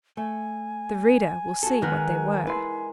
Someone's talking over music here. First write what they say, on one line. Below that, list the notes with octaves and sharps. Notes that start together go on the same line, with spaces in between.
The reader will see what they were.
A3 G#5
F#4 A4
D#3 G#3 B3 D#4 A#4 F#5
E4 B4 C6